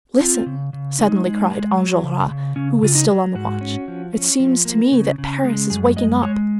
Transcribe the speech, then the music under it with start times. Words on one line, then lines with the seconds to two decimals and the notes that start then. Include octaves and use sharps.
"Listen," suddenly cried Enjolras, who was still on the watch, "it seems to me that Paris is waking up."
0.20 C4 F4
0.46 C#3
0.73 C#3
0.99 G#3 D#4
1.26 G#3
1.51 G#3
1.78 F#3
2.04 C#3
2.31 C#3
2.56 C#3 C#4
2.82 C#3 F4
2.95 D#4
3.08 F#3
3.35 G#2 F#4
3.61 C#4
3.88 F3
4.13 C#4
4.40 F3
4.65 A#3
4.92 C#3
5.18 C#3
5.44 G#3
5.70 F#2 G#4
5.96 G#3 D#5
6.23 G#3 C#5